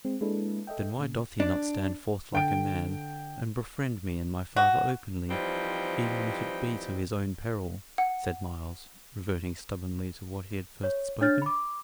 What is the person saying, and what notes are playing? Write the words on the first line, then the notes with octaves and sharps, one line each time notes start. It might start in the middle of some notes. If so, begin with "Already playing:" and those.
"Then why doth he not stand forth like a man and befriend me and my father openly, even if it be to his own peril?" said Myles, reverting stubbornly to what he had first spoken.
G#3 C4
G#3 A#3 D4 E4 A4 B4
A4 D#5 E5 G5
A#2 C#3
D4
D3 G5 D7
F#4
E3 F3 G3 C4 D#4
F#5
C#5
D4 C#5 F6 A6
B5 D6